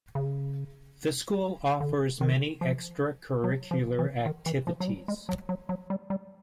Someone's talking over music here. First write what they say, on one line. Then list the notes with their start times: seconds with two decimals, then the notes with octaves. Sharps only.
The school offers many extracurricular activities.
0.15 C#3
1.80 D3
2.21 D#3
2.61 F3
3.44 F#3
3.71 F3
3.99 E3
4.26 D#3
4.46 E3
4.67 F3
4.80 F#3
4.88 G3
5.08 G#3
5.29 F#3
5.49 F#3
5.69 F#3
5.90 G3
6.10 G3